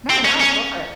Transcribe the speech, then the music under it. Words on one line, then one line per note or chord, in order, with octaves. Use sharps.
No, no, go for it.
C4
C#4
C#4